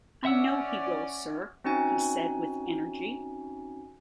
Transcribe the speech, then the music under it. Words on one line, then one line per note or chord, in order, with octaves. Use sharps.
'I know he will, Sir,’ he said, with energy.
C#4 D5 E5 F#5 E6
C4 C#4 D#4 F#4 G#5